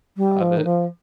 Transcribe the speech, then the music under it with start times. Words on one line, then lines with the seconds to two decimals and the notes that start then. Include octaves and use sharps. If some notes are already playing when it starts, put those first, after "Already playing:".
of it.
0.17 G3
0.41 F3
0.57 D#3
0.64 F3